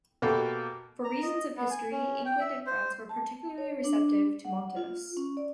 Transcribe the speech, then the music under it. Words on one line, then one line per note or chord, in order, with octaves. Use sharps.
For reasons of history England and France were particularly receptive to Montanus.
B2 A#3 G4 A4
A#5
D#5
B3
G#5
C#4
G5
E5
C5
A5
C#5
D4
F#5
F4
C#4
D5